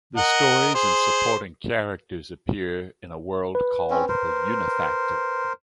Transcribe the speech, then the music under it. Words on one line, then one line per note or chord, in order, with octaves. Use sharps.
The stories and supporting characters appear in a world called the Unifactor.
A#4 D#5 F#5
G#4 C5
B4
C4 C#4
A#4 C5